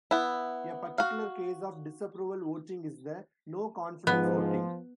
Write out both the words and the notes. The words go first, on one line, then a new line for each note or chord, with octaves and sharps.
A particular case of disapproval voting is the no-confidence voting.
B3 E4
F#4 F5
G#2 F3 B3